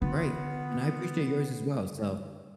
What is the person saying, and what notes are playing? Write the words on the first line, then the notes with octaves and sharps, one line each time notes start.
Right, and I appreciate yours as well, so,
D3 B3 F4